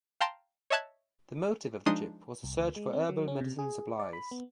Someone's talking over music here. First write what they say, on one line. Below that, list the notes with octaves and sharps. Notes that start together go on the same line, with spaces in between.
The motive of the trip was to search for herbal medicine supplies.
F5 G5 A5 A#5 C6
C#5 D#5 E5 A5 F#6 G#6
F3 G#3 D4 D#4 C6 D#6
C2
D2
G#3
C4
F#3
C#4
C3
G#4
D5
B5
B3